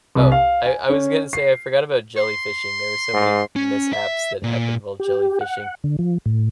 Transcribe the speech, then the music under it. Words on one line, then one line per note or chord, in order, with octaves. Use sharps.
Oh, I I was gonna say I forgot about jellyfishing; there are so many mishaps that happened while jellyfishing,
C2
F5
G#5
C#4
C7
C6
G#2
C#4
E5
A#2
G4
F#5
D3
F3
A2